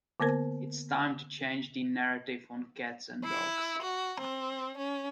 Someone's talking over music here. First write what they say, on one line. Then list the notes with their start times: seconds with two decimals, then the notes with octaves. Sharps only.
It's time to change the narrative on cats and dogs.
0.20 D3 A#3 B3 A#4 C5
3.23 E4
3.80 F#4
4.19 C4
4.76 C#4